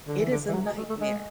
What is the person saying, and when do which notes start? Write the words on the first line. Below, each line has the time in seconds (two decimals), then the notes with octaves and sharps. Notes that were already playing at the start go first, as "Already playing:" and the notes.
It is a nightmare.
0.07 D3
0.19 E3
0.31 D3
0.48 E3
0.54 F#3
0.66 G#3
0.77 A3
0.89 A3
1.01 G#3